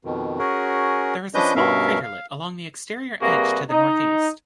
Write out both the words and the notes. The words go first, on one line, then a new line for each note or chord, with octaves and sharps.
There is a small craterlet along the exterior edge to the northeast.
F2 B2 D#3
C#4 F#4 G#4 A#4
F3 C#4 D4 B4 D#5 G6
G2 B2 C#4 A#4 E5 F5
F5
C3 G3 A#3 F#4 G#4 B4
D#4